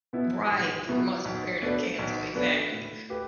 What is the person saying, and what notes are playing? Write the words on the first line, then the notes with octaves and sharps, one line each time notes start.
Right. pro months are prepared to cancel. Exactly.
B2 B3 E4
B1
B2 B3 E4
B1
B2 A3 D4 B4
B1
B2 A3 D4 B4
A2
A3 G4 B4